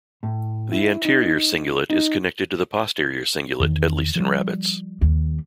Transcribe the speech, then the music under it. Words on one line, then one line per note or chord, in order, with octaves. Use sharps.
The anterior cingulate is connected to the posterior cingulate at least in rabbits.
A2
E4
D#4
D#4
E2 D#3
F3 G3
D#2